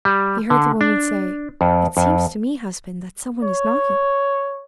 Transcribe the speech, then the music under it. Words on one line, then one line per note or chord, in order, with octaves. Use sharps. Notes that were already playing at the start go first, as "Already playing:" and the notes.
He heard the woman say, "It seems to me, husband, that some one is knocking."
G3
D3
D4
F2
F2
C#5